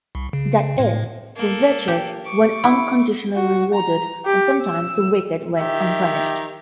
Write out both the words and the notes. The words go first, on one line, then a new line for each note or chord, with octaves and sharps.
That is, the virtuous weren't unconditionally rewarded, and sometimes the wicked went unpunished.
C2
C#3
A2
A#3 A4
G4
C#6 D6
E4
F#4
A#5
G4
E6
D#3 G4 E5